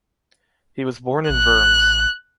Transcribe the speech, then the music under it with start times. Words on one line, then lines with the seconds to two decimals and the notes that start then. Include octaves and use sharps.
He was born in Worms.
1.29 A1 F#6